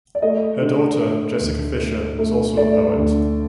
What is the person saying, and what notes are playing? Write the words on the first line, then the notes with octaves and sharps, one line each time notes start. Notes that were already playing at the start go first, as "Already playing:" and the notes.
Her daughter, Jessica Fisher, is also a poet.
D5
A3 D#5
D3
A3
D2
A3
A3
A3 D5
D2